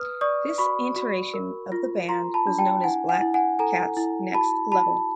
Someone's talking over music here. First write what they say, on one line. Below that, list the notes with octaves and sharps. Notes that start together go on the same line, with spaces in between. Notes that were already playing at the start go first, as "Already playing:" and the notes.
This iteration of the band was known as Black Cats Next Level.
Already playing: B4 D#6 F6
D5 C#6 D#6
F#4 B5 C#6
F#4
A#4
F4
F4 A#5 C6
A5 B5
D4
G5 A5
E4 F#5 G#5
F#5 G#5
E4
F#5 G#5
A4 G#5 A#5
E4
F#4 A5 B5
F#4 A5 B5